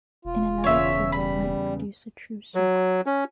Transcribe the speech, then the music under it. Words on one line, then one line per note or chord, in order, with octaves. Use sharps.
In another case it might produce a true circle.
E1 F4
E2 C#3 C#5 E5
G3 B5
F#3
C#4